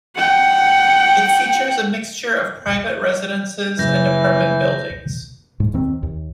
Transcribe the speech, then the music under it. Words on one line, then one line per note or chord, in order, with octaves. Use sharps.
It features a mixture of private residences and apartment buildings.
F#5 G5
F#1 E3 G6 A#6
G#2
D#2 D#3 C4
D#2